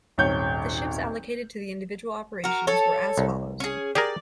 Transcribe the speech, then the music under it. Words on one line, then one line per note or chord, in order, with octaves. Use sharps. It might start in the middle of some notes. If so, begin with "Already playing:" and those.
The ships allocated to the individual operations were as follows.
D#1 G#1 C#5 G6
F#4 A#4
A4 C#5
C2
C#4 G#4
G4 G#4 A#4 D5